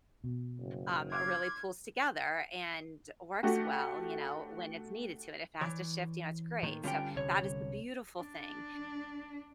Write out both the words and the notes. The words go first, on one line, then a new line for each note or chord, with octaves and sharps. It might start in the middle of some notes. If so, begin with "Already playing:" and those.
um, really pulls together and works well, you know, when it's needed to, in a faster to shift, you know, it's great. So that is the beautiful thing,
B2
F#1
C6 D6 F6 G#6
A3 D4 F#4 G4
E3 C#5 D5
A2 D#3 A#3
G2 D3 C#4 F4 G5
C2 C#5
D4